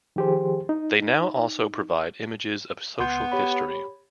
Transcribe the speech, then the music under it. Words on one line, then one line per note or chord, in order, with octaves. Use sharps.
They now also provide images of social history.
D#3 F3 G4 G#4 C5
D#4
C#2 B3 C6 G6
G4 C#5 B5